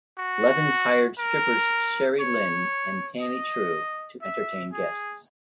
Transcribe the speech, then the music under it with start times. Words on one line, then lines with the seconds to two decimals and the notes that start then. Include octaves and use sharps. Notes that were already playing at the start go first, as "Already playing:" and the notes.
Levens hired strippers Sherry Lynn and Tammi True to entertain guests.
0.18 F#4
1.19 A#4
2.20 C#5
3.21 D#5
4.22 E5
4.73 G#4